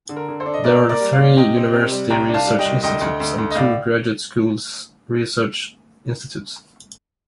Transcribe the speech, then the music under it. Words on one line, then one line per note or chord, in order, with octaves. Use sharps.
There are three university research institutes and two graduate school research institutes.
D3
A#4
D3
A4 C5
D4
D#5
A#2 A#4 D5
A#3
A#4 D5
G3
D5 F5
A#2
C3 D#5 G5
C4
C3
G3
C2 G5 A#5
D4
F5 A5
G3
D#5 G5
C2
D2 D#5 G5
D2
D2
D2
D#5
A2 D5 F5